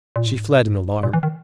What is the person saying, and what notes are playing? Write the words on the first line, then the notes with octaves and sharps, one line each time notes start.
She fled in alarm.
A#2
A2
G#2
A2
A#2
E3
D#3